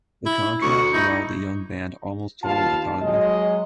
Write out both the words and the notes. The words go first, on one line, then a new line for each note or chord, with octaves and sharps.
The contract allowed the young band almost total autonomy.
E4
D2 C#6
D#4 E4
D#2 B3 F4 F5 A5
F#3 G#3 D#5